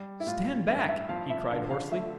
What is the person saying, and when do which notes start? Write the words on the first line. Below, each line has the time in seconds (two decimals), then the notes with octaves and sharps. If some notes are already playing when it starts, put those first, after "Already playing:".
"Stand back!" he cried, hoarsely.
Already playing: G3
0.20 E4
0.26 A2 F4
0.68 G2 E5
0.88 E5
1.09 F3 F5
1.30 E5
1.51 D3 F5
1.71 F5
1.91 A3 E5